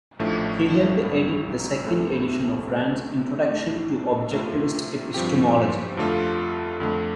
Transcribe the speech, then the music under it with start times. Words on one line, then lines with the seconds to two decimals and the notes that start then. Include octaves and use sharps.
He helped edit the second edition of Rand's "Introduction to Objectivist Epistemology".
0.19 A1 A2 F3 A3 D4
1.01 G1 G2 G3
1.84 C2 C3 A3 C4 A4
2.67 D2 C3 A3
3.49 A2 A3 D4
4.32 C3 A3 C4 F4
5.14 G2 F3 C4 G4
5.97 F2 D3 A3 F4 A4
6.80 F2 D3 A3